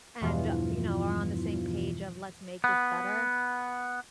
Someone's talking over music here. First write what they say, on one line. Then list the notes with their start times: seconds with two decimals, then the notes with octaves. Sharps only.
and, uh, you know, are on the same page of "Let's make this better,"
0.21 E2 G2 B2 E3 F3 F4
2.64 B3